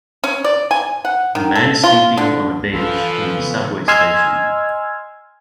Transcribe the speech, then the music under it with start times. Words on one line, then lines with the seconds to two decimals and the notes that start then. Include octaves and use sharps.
A man sleeping on a bench in a subway station.
0.24 C#4
0.44 D5
0.71 G#5
1.05 F#5
1.35 D#3
1.55 A4
1.84 F4
2.17 D3
2.73 D3 E3 F3 F4 A4 B4 F5
3.37 C#3 B3
3.88 D#5 G#5 C6 E6 F6 G#6